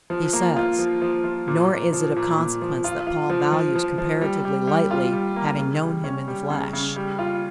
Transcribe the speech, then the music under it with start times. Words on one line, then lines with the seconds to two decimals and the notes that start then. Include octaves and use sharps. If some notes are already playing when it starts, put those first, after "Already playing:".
He says: "Nor is it of consequence that Paul values comparatively lightly, having known him in the flesh."
0.10 F3
0.33 A#3
0.56 F4
0.79 F3
1.02 F3
1.24 F3
1.48 A#2
1.70 A#2
1.93 F3
2.16 A#2
2.38 A#2
2.62 F3
2.84 F4
3.07 F4
3.30 F3
3.52 F3
3.76 F3
3.98 F3
4.21 G3
4.45 G3
4.67 G3
4.91 F4
5.13 G3
5.36 A#3
5.59 C#3
5.82 G3
6.04 C#4
6.28 G3
6.50 C#3
6.73 C#3
6.96 G3
7.19 F4